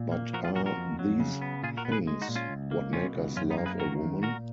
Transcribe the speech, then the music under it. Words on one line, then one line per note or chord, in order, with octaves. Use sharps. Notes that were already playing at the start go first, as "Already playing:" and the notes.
But are these things what make us love a woman?
Already playing: A#2
A#3
F3 F#4 A#4
F4 G#4
A#2 F#4 A#4
F#4 A#4
F2
F#3
C#3
B3
A#2 F4 G#4
F#4 A#4
B3
G#4 B4
G#3
D#4 F#4
A#2
C#4 F4
C#2
A#3
B2 C#4 F4
C#2
F#2 C#4 F4
B3 D#4
A#3
G#4 B4
D#3 F#4 A#4
F#2
A#2 F#4 A#4